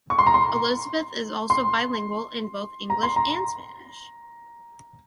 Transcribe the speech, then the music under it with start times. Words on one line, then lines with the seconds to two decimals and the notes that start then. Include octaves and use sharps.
Elizabeth is also bilingual in both English and Spanish.
0.10 C#6
0.18 C6
0.26 A#5
0.34 C6
1.50 C6
2.90 A#5
3.03 C6
3.16 A#5